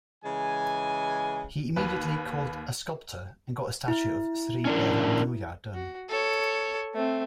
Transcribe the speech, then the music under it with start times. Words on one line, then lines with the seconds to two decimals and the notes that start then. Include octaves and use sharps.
He immediately called a sculptor and got a statue of Sri Ramanuja done.
0.25 C#3 E3 G#3 G#5
1.76 D#2 B4
3.88 E4
4.65 C#4 D4 A#4
5.74 F#4
6.09 A4 C#5
6.94 A3 C4